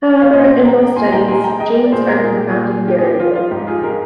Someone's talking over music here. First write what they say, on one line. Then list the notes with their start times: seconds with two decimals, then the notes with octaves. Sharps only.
However, in most studies, genes are a confounding variable.
0.22 F5
0.33 A#2 C5 D#5
0.64 G#3 G5 A#5
0.96 A#2 G#5 C6
1.12 G5 A#5
1.28 G#3 G#5 C6
1.44 G5 A#5
1.60 G#3 D#5 G5
1.83 D5
1.92 A#2 G#4 C5
2.07 G4 A#4
2.24 A#2 G#4
2.37 G4
2.49 F4 G#4
2.56 A#2
2.88 F3 G4
2.99 G#4
3.04 G4
3.20 F3 F4
3.35 F4
3.51 G#2 G4
3.67 F4 G#4
3.83 G#3 G4 A#4